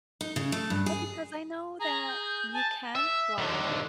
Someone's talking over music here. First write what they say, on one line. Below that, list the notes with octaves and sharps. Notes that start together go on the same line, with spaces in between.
Well, because I know that you can fly,
D#4
C#3
A3
G2
G#4
G#4 A#5
G6
G#5 A5
E5
D#2 D3